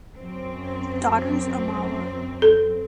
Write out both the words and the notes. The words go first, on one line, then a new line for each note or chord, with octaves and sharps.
Daughters Amala.
F#2 C4
A4